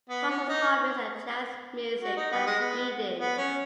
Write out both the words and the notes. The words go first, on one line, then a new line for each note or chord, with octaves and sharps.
Rusol's hobbies are jazz music and reading.
B3
C#4
D#4
F#4
D#4
B3
G#3
B3
B3
C#4